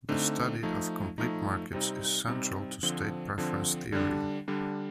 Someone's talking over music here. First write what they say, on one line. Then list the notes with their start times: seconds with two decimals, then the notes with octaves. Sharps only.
The study of complete markets is central to state-preference theory.
0.09 D3 A3 C4 D#4
0.63 F3 A3 D#4
1.18 F3 A3 D#4
1.73 C3 G3 C4 D#4
2.28 C3 G3 C4 D#4
2.83 D3 F3 C4
3.38 D3 F3 C4
3.92 D3 G3 D4
4.48 D3 G3 D4